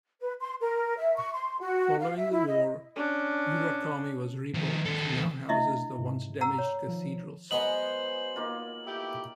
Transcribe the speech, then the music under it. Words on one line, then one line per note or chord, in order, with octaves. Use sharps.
Following the war, Urakami was rebuilt and now houses the once-damaged Cathedral site.
B4
C6
A#4
E5
C#6
C6
F#4
F5
E5
E4
D#5
C#4 D4
D#3 F3
D#2 A4
A3 D4 E4 D#5 E5
G#2 C3
F#5 A#5 E6
C#5
D#3 F3
F#3 G#3 B3 C5 D#5 G#5 A#5 F#7
A#3 D#4 F4
A3 E4 G4